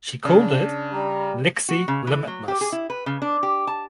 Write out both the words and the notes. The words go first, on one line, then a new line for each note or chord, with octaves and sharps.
She called it "Lexie Limitless".
C#3 D4
G3 A#5
F#4
C#3
E3
F#3
G4
G#4
E4
B4
C#3
D4
G4
A5